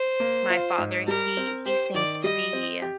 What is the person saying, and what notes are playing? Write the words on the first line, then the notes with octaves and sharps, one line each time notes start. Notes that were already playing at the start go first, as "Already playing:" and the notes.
My father, he he seems to be
Already playing: C5
A#3
F4
G#2
G3 A#4
C4
G4 C5
D#3 D5
G3 D#5
C4
G4